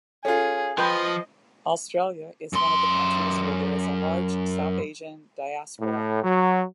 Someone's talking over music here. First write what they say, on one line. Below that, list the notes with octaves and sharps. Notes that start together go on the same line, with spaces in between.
Australia is one of the countries where there is a large South Asian Diaspora.
C#4 F4 G#4 A4
F3 B4 D#5 G5 B5 G6
F#2 C6
A2
F#3